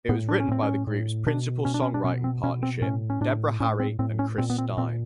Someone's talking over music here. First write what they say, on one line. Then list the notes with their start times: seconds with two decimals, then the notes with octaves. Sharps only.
It was written by the group's principal songwriting partnership, Deborah Harry and Chris Stein.
0.09 A2 B3
0.29 D4
0.40 C#4
0.48 A2 C4
0.63 C#4
0.87 A2
1.27 B2 D4
1.65 B2 C#4
1.74 D4
1.82 C#4
1.94 D4
2.04 B2 C#4
2.24 C4
2.43 B2 C#4
2.63 C4
2.82 A2 C#4
3.10 C#4
3.21 A2 D4
3.60 A2 C#4
3.80 C4
3.99 A2 C4
4.19 C#4
4.38 A#2 C4
4.50 B3
4.58 C4
4.77 A#2 C4